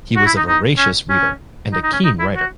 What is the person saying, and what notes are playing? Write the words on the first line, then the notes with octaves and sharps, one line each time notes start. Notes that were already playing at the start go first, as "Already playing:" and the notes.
He was a voracious reader and a keen writer.
F#4
E4
D#4
D#4
C#4
C#4
D#4
D#4
C#4
D#4
E4
F#4